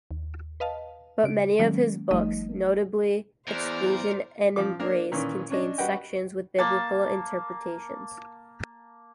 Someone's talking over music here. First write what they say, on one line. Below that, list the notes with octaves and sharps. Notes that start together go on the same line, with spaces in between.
But many of his books-notably "Exclusion and Embrace"-contain sections with biblical interpretations.
D#2
B4 D#5 F5 A5
C#3 D7
D#3 F#3 G#3 A#3 C#4
G1 F3 G3 A3 D#4 D#5
E2 A#4 C5 D5
F3 D6
A#3 D4 A#4
A#2 D#3 E3 C#4
C#4 D4 D#5
G3 F#4 B4 D#5 F#5 G5
A#3 A5